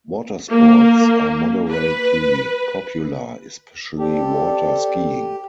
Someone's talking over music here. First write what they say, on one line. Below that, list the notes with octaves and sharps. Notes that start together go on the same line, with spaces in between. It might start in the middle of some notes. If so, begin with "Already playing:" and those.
Water sports are moderately popular, especially water skiing.
A#3
B4
C4 G4 A4 D5